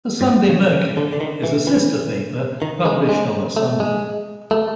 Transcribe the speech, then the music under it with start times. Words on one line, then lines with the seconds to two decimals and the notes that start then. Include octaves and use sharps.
The "Sunday Mercury" is a sister paper published on a Sunday.
0.21 G#2
0.27 A2
0.49 C#3
0.73 C#3
0.97 D3
1.13 D3
1.20 D#3
1.44 E3
1.67 E3
2.62 D#3
2.85 G#3
3.09 G#3
3.56 A3
3.80 G#3
4.51 A3